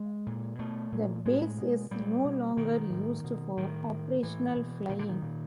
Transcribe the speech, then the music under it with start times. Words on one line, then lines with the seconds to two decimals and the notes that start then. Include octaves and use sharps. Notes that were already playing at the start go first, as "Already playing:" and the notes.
The base is no longer used for operational flying.
Already playing: G#3
0.27 A#2
0.59 B2 A3
0.92 A#2
1.25 A2 G#3
1.58 B2
1.91 A#2 G3
2.25 B2
2.57 B2 D#3
2.90 A2
3.24 B2
3.57 A2 D#3
3.90 A2
4.23 A2 E3
4.56 B2
4.89 A#2 D#3
4.99 D3
5.09 D#3
5.22 A#2